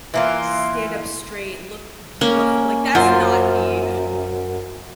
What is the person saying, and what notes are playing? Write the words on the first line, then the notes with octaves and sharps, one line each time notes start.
stand up straight, look beautiful, like, that's not me,
E3 A#3 F4
A#3 C#4
F#2 F4 C5